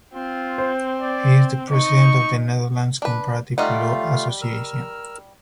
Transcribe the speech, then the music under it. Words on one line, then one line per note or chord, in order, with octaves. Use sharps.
He is the President of the Netherlands Comparative Law Association.
C4 F4
C5
D5
D#4 C#6
D4 B4
G3 A3 D#4 F4 F5 F#5
A#4 E6 F6